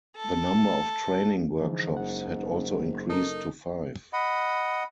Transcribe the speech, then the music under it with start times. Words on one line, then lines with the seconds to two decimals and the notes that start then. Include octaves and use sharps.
The number of training workshops had also increased to five.
0.16 A4
1.61 G#2 D3 E3 F3
1.97 F#1 F#5
3.09 D#4 A4 A#4
4.13 D#5 F#5 B5